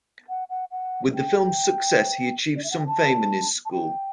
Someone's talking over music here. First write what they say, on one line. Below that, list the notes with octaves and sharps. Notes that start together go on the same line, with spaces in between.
With the film's success, he achieved some fame in his school.
F#5
F#5
F#5
G5
D5
E5
F#5
G5
A5
A5
G5